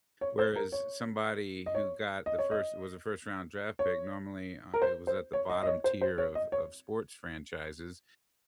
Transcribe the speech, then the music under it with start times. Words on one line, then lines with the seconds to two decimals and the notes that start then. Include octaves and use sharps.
Whereas somebody who got the first was a first-round draft pick, normally, uh, it was at the bottom tier of of sports franchises,
0.21 C#5
0.39 C5
0.56 A#4
0.72 C#5
1.66 D#5
1.75 C#5
2.26 D#5
2.39 C#5
2.51 D#5
3.79 C#5
4.74 A#4
4.82 C5
5.07 C5
5.33 C#5
5.50 D#5
5.63 D#5
5.67 C#5
5.84 C5
6.01 C5
6.18 C#5
6.35 D#5
6.52 C#5